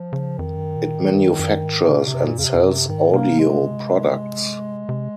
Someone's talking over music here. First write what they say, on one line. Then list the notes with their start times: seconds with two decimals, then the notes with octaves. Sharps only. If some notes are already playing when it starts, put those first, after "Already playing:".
It manufactures and sells audio products.
Already playing: F3
0.13 C#3
0.38 F2 D#3
0.56 F#2
0.76 A#2
0.95 G#2
1.13 F#2
1.39 F#2
1.63 G#2
1.89 A#2 C#3
2.07 C3
2.14 F#2
2.26 A#2
2.38 F2 C#3
2.45 C3
2.54 F2
2.60 A#2
2.64 F#2 C3
2.89 G#2 D#3
3.13 C3 A#3
3.39 G#3
4.89 C3